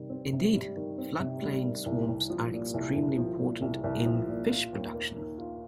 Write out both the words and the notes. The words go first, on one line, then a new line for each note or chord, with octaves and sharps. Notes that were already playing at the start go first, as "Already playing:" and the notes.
Indeed, floodplain swamps are extremely important in fish production.
Already playing: C3 D#3 G3
C4
C3
G3
D#3
C4
C3
G3
D#3
C2
C2
F3
A#2
C2
C2
F3
A#2
C2
C2
F3
A#2
F4
D#2
A#3
D#3
F4